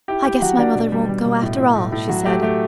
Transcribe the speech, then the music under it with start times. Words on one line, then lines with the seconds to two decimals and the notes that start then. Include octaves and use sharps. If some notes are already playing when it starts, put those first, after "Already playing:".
"I guess my mother won't go, after all," she said.
0.08 E4 G4 G5
0.26 E4 G4 G5
0.42 F#3 F#4 F#5
0.58 F#3 D4 D5
0.75 B2
0.92 G3
1.09 G3
1.26 B2
1.42 A2
1.59 A2
1.75 A2
1.92 A2
2.09 F#3 F#4
2.26 A3 G4
2.42 A3 G4